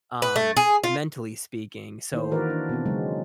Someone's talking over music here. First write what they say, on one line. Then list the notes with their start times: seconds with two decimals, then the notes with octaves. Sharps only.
um, mentally speaking so
0.22 B4
0.36 A3
0.57 G#4
0.84 F4
2.13 D#3 A#3 E4 C5
2.31 D#3 E3 F#4 A#4 B4 D5
2.50 D4
2.69 B2 B3 C4
2.85 C#3 F#3 G#3 F#4